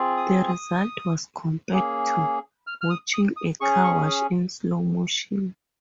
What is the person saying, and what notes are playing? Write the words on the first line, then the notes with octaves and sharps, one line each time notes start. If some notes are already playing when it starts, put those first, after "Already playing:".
The result was compared to "watching a car crash in slow motion".
Already playing: C4 F4 G#4
D#6
D#6
A#3 C#4 G#4
F6
F6
D#6
D#6
D#6
C#4 G#4 C#6
C#6
D#6